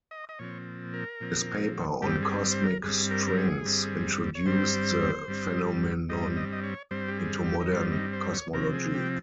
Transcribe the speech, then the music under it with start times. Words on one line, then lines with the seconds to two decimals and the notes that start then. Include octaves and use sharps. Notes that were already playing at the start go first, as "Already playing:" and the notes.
His paper on cosmic strings introduced the phenomenon into modern cosmology.
0.11 D#5
0.29 D#5
0.39 A#2 F3 C4 C#5
0.94 A#4
1.21 A#2 F3 C4
2.02 G2 G3 C4 G4
2.23 G#4
2.51 C5
2.63 A#4
2.83 G2 G3 C4 G#4
3.11 A#4
3.27 A#4
3.37 G#4
3.65 G2 G3 C4
4.35 C#5
4.46 G2 G3 C4 C5
5.28 G2 G3 C4
6.09 G2 G3 C4 D#5
6.36 D#5
6.52 D#5
6.63 C#5
6.91 G2 G3 C4 C5
7.08 G4
7.18 G#4
7.45 G4
7.60 D#4
7.72 G2 G3 C4 F4
7.92 D#4
8.13 C5
8.33 C#5
8.53 C3 F3 C4 A#4
8.74 G#4
8.94 G4